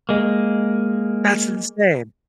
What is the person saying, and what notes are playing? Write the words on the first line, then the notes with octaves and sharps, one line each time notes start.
That's insane.
G#3 A#3